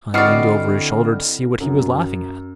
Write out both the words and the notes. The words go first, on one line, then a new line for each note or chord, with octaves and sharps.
I leaned over his shoulder to see what he was laughing at.
D3 C4 E4 F#4 D5 D#5 F6 C7
F#2